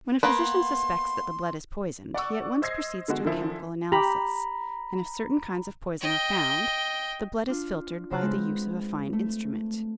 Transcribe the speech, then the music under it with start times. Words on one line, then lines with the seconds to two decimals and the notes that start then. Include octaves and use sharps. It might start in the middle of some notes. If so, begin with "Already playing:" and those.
When a physician suspects that the blood is poisoned he at once proceeds to a chemical analysis, and if certain kinds of poison are found, the blood is filtered by the use of a fine instrument.
0.23 A#3 B3 B4 C6
2.14 D5 F#5 C#6 E6
2.62 C5 D#5 E6 G#6 A#6 C7
3.08 D3 E3 G#3 B3 F#4
3.24 F#2 D3 D#3 F3 E4
3.92 G4 A#5 B5
6.01 D#5 G5
7.48 D4 F4
8.10 C#3 C4 C5 F5 A5 F#6
8.22 G#3 B3 C4
9.13 A3